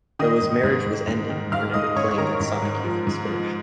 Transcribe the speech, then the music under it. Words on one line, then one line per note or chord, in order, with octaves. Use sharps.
Though his marriage was ending Moore never claimed that Sonic Youth was finished.
D#3 D#5 D#6
G#2
G#2
G#2
G#2
D#3
G#2 F5 F6
G#2 D#5 D#6
G#2 C#5 C#6
C#6
D#3 A#4 A#5
G#2
G#2
F3
G#2
F3